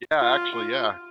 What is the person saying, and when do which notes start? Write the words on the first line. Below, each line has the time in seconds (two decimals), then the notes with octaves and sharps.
Yeah, actually, yeah.
0.21 F4
0.55 F4